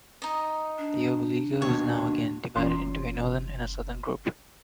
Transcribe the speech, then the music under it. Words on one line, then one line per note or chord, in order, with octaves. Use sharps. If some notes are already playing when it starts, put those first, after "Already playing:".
The "Oberliga" was now again divided into a northern and a southern group.
D#4 D#5
D4
D#2 B2 D4 C#5
F#1 E3 C#4 F4 C6